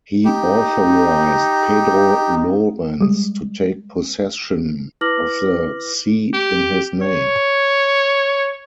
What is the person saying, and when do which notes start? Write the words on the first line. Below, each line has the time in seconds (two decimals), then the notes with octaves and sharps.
He authorized Pedro Llorens to take possession of the see in his name.
0.25 D#4 G4
3.01 G3 G#3
5.01 E4 B4 D6 F6 A#6 F#7
6.34 G4
7.02 C#5